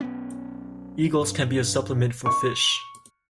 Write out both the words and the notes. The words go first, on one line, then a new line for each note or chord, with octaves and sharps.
Eagles can be a supplement for fish.
B1 B3 C#4
G2
C#6